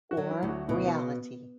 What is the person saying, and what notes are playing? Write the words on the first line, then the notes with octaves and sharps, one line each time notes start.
Or reality.
F#4
F#3
E4
D2
F#4
B2 E4
B3